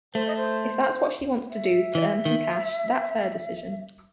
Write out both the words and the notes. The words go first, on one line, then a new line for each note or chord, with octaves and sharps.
If that's what she wants to do to earn some cash that's her decision.
A3 C5
D#5
C5
E5
E3
D#3